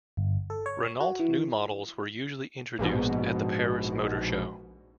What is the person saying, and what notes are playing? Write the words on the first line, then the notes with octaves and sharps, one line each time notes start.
Renault new models were usually introduced at the Paris Motor Show.
G1
A4
C#5
F#4
E3
A#1 G#2 B2